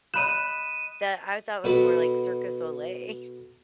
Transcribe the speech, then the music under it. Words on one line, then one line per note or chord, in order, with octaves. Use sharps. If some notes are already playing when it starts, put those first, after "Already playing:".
that I thought was more like Cirque du Soleil.
D#5 B5 F#6 D#7 E7
B2 F#4 A4 B4 B5